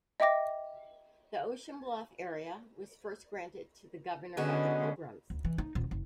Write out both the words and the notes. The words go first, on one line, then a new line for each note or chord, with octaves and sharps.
The Ocean Bluff area was first granted to the governor of the Pilgrims.
D#5 E5 G5 D6 A#6
D3 G#3 B3 C#4 F#4
D2
E3
D#4
D#1
F#1